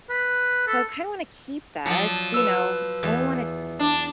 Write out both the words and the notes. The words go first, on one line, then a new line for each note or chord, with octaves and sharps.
so I kinda wanna keep that, you know? I don't wanna
B4
A4
F3 F#3 D5
B4 E6
E2
D4